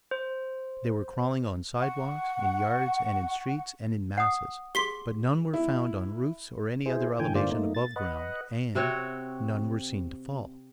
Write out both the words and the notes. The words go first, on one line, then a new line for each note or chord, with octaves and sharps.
They were crawling on sidewalks, in yards, and in streets, and in masses--but "none were found on roofs or any other elevation above ground" and "none were seen to fall."
C5
F#5 C#6
F#5 D#6
G4 G#4 C6 B6 G7
E4
E4 G#4 C5
A2 D3 E3 G5 G#5
G2 D3 A#3 F4 C5 D5
A3 A#3 D#4
A6
B4 D#5 F#5
C3 C4 F#4 C#5